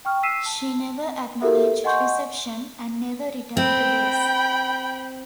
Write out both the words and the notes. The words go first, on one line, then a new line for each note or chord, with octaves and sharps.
She never acknowledged reception, and never returned to base.
G5 C#6 F6
E6 B6 C7 D#7 E7
A5
E4 F#4 G4 A4 A#4 E5
D#5 F#5 G#5 C6 C#6 G6
C4 G5 B5